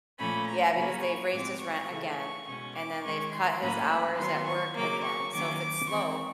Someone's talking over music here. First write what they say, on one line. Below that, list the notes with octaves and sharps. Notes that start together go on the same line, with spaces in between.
Yeah, because they've raised his rent again, and then they've cut his hours at work again. So if it's slow,
A#2 F3 A3 C#4 B5
A#5
C#3 F#3 A#3 C#4 B5
C#6
A2 F3 G#3 C4 D6
C#6
C#3 E3 A3
C#6
B2 G#3 C#4 C#6
D6
D#3 G#3 C#4 C#6
C6
A2 F#3 A#3 C#4 B5
B5
D#3 F#3 B3 C6
C#6
C#3 F#3 A#3 D6
C#6
D#3 F#3 A#3 C#4 D6
E3 G#3 C4 C#6